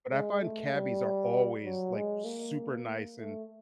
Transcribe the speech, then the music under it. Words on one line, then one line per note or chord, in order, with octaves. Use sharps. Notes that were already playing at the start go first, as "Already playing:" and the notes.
but I find cabbies are always, like, super nice and
G#3
A3
G3
F#3
G#3
A#3
A3